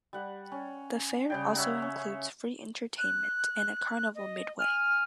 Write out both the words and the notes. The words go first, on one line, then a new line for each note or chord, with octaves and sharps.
The fair also includes free entertainment and a carnival midway.
G3 F#5
C#4
C#3 G3 G5
C#5 E5 F#5 A#5
C#4
F#6
D#5
G#5 F6